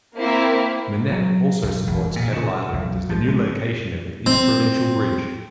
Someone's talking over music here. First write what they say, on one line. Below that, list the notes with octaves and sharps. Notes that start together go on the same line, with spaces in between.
Monette also supports Kettle Island as the new location of the Interprovincial Bridge.
A#3 C4 E4
F#3
B1
E1
A#2
C#3
B1
F3
G#3
C4